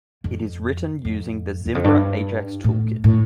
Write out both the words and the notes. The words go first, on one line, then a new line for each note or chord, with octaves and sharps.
It is written using the Zimbra Ajax Toolkit.
F2
F2
E2
F2
G2
A2
A2